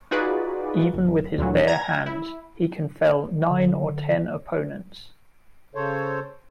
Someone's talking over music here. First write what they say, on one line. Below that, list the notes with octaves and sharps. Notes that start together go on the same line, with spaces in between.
Even with his bare hands, he can fell nine or ten opponents.
D#4 F4 F#4 G#4 B4 D5
G1
D2 A#2 D3 E3 F#3
A#5 G#6 A#6
E4
D3
C#3 A4 C5 C#5